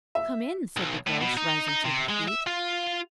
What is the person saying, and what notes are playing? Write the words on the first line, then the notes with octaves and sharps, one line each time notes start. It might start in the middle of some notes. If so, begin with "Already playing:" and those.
'Come in,' said the Groac'h, rising to her feet.
E5
B1
A2
B2
D#4
D#4
C3
G#3
E5
F4